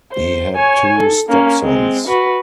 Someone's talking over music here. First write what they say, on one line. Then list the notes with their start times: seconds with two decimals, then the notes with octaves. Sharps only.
He had two stepsons.
0.13 C5
0.56 C#5 G#5
0.98 A4
1.29 A#3 C#4
1.62 G#3 C4
2.07 F#4 B4